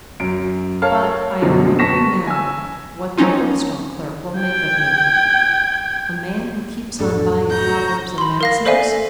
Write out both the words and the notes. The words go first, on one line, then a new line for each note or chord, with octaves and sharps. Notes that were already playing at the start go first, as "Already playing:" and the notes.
But I am wondering now what the bookstall clerk will make of me. A man who keeps on buying Proverbs and Maxims.
F#2 D7
A#4 C#5 F5 A5 F6
F#2 B2 D3 F3 F#3
A5 C#6 A#6 B6 E7
G#5 E6
F3 F#3 C4 C#4 D#4 F4
G5 G#6
F2 A2 C#3 D4 A4
F#4 A#5 G6
B5 C6
A#4 F5 A#6
A4 C5 D5 E5 F5 G#5